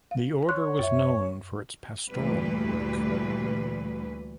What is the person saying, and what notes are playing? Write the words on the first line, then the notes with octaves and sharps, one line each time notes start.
The order was known for its pastoral work.
F5
C#5 C6 F#6
F#2 E5
D2 G2 A#2 E3 G3 B4